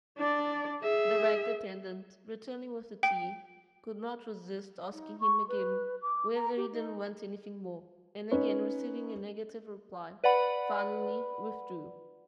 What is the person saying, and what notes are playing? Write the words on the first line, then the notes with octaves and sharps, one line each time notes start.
The ragged attendant, returning with the tea, could not resist asking him again whether he didn't want anything more, and again receiving a negative reply, finally withdrew.
D4 D5
G#4 E5
G5
D#4
C#6
B4
D6
A#5
G4
D#4
C#4 D#4 B4 C#5
B4 D5 F#5 B5